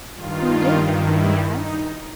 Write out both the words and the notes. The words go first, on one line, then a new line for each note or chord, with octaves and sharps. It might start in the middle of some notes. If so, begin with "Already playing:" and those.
"Who did, then?" he asked.
G2 D#3 F4
E4
D#4